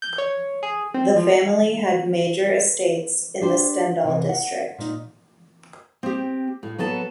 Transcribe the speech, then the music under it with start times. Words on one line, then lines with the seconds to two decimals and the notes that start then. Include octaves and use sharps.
The family had major estates in the stendal district.
0.02 G6
0.18 C#5
0.63 G#4
0.94 C4
1.16 F3
2.47 B4
3.41 D4 G4 B4 C5
4.05 C3 E3
4.29 F#5
4.79 A#2 D#4
6.03 C4 G4
6.63 A2
6.79 F#3 B3 A4 A5